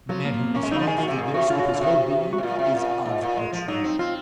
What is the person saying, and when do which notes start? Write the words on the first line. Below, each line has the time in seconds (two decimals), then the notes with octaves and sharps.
The man who responds to this with his whole being, is of the truth.
0.09 F3 F#3
0.25 A#3
0.54 A#3 C#4
0.63 G#3
0.71 F#3 D#4
0.79 F3
0.87 D#3 G#4
0.98 D#3 F4
1.03 F#4
1.08 C3
1.18 A#2 G#4
1.34 C3 F#4
1.50 C#3 F4
1.60 F#4
1.69 F4
1.74 C#3
1.81 C3 F#4
2.33 F#4
2.38 C3
2.43 A#2 F4
2.59 C3
2.74 A#2 F4
3.06 G#2
3.21 A#2
3.37 G#3
3.52 F3
3.68 F#3 D#4
3.84 C4
3.99 C4 F4